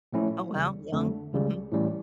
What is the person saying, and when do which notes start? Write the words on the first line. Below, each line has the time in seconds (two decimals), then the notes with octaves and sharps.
Oh, wow. Young. Mhm.
0.13 A#2 F3 A3 C#4 E4
0.52 E2 C#3 G3
0.92 F2 D3 A3
1.33 C#2 C#3 G3
1.72 A2 E3 G3 C#4